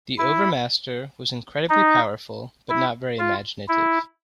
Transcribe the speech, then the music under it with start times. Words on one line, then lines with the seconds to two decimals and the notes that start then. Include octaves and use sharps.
The Overmaster was incredibly powerful but not very imaginative.
0.19 E4
1.70 D#4
2.70 E4
3.19 F4
3.69 E4